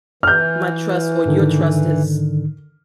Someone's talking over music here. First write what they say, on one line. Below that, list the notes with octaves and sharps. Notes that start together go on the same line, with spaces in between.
my trust or your trust is
E3 F6 G6
G#2 D3 D#3